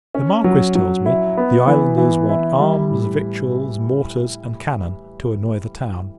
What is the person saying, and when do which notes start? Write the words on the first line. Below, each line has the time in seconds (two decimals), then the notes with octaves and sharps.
The Marquis tells me, the islanders want arms, victuals, mortars, and cannon, to annoy the town.
0.15 C#4
0.44 F#3
0.75 F#3
1.06 E4
1.37 B3
1.67 E3
1.98 E3
2.29 E4
2.60 G3
2.90 A2